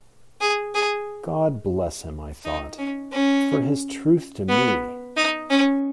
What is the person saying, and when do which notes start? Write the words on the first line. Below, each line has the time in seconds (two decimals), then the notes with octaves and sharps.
"God bless him," I thought, "for his truth to me!"
0.41 G#4
0.75 G#4
2.45 D#4
2.78 C#4
3.12 C#4
4.48 B3
5.16 D#4
5.50 C#4